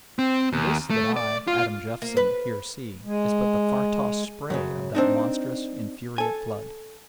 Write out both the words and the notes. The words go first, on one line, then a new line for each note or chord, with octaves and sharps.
And this that I, Adam Jeffson, here see is but the far-tossed spray of that monstrous, infuriate flood.'
C4
D#2
A3
D5
F4
A#3
B4
G#3
F#2 A#2 C#3
C4 D4 D#4
A4 G#5